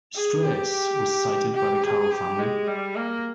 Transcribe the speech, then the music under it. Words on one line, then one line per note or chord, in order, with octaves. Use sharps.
'Stress' was cited by the Carroll family.
G#4
G4
G4
G#4
G4
G#3
G3
A#3